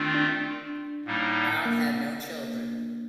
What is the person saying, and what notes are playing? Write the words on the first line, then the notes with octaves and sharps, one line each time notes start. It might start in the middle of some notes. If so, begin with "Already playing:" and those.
Brown had no children.
Already playing: D#3 A3 C4 D4 F4
D4
A2 G3 A#3 D#4
A#3